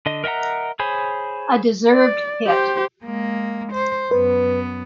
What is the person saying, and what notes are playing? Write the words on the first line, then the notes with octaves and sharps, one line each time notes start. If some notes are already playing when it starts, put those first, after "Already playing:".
A deserved hit.
D3 D#5
A#4 D#5 E5 F#5 A#5
G#4 C5 C#5 G#5 B5
D5
G4 C5
G#3 A#3
C5
F#2 B3 B4